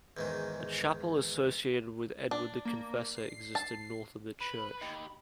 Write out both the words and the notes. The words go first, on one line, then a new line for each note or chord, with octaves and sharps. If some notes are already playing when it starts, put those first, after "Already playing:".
A chapel associated with Edward the Confessor existed north of the church.
E2 G#2 D#3
D4
A#3
C7
A5
B4 B5
D#4 G4